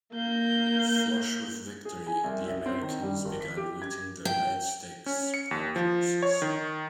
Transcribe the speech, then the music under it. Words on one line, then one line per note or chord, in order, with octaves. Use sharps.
Flush with victory, the Americans began looting the Red Sticks' pack-horses.
A#3 G6
G#4
G#5
C2
E5
C4
D#3
G3
G#1
B6
G4
G#6
G5
C#4
C#7
D#2
F3
C#5
D#3